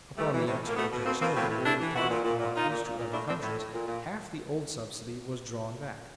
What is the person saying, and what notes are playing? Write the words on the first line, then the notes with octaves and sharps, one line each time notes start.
Upon the exportation of the greater part of commodities to other countries, half the old subsidy was drawn back.
E3 G3 A3
E3
A2
A2
A#3
B2 A3 B3
B2
B2 A#3 C4
B2 A#3 C4
A2 A#3 C4
A2
A2 D4 E4
E3
A#2 E4 F#4
A#2
A#2
A#2
A#2 D#4 F4
A#2
A#2
A#2
A2 D4 E4
A2 C4 D4
A2
A2
A#2
A#2